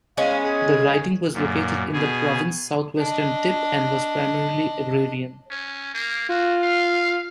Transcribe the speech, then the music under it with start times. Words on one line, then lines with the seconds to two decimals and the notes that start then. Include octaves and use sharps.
The riding was located in the province's southwestern tip, and was primarily agrarian.
0.17 G#3 B3 C#4 F5
0.43 G#4
1.34 F#2 A#2
1.93 B2 G#4
2.98 D4 D#5
5.51 C#4
5.94 A#3
6.29 F4 F#4
6.62 F5